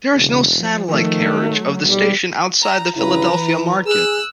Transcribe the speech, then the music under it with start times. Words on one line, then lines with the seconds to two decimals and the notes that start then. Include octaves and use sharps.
There is no satellite carriage of the station outside of the Philadelphia market.
0.16 E1 C#3
0.59 F3
0.89 D#3 A3
1.26 F#3
1.83 B1 G3
2.62 A#5
2.96 G2 C#3 E4 B4 A#5
3.31 E3
3.87 G#4 E6 F#6